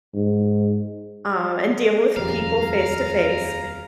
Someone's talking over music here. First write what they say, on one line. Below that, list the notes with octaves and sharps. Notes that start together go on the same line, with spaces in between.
um, and deal with people face to face.
G#2
D#1 F2 G3 G#4 F5 A#5